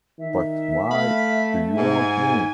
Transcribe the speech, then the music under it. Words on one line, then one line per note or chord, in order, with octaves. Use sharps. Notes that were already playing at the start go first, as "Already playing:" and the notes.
But why do you want me?
D#3 E5
A3 F5 B5
G#2 G#5